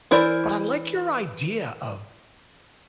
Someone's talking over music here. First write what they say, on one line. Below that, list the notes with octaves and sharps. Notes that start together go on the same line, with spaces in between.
But I like your idea of
E3 E4 A#4 C5 D5